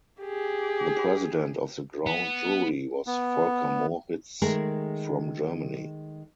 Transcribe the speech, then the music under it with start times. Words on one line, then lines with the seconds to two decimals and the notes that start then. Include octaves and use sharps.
The president of the Ground Jury was Volker Moritz from Germany.
0.22 G4 G#4
2.06 B3
3.07 B3
4.42 D#3 G#3 A3 G#4 A#4